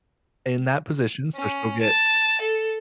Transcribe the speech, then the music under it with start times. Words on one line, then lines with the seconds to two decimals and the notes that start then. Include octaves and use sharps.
in that position, so she'll get
1.36 C#4
1.82 A5
2.41 A4